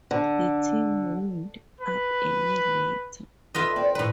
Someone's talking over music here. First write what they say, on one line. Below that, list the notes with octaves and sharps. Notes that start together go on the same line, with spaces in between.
The team wound up a year later.
D3
B4
F4 A4 B4 D#5 E5
C4 D5
A2 B4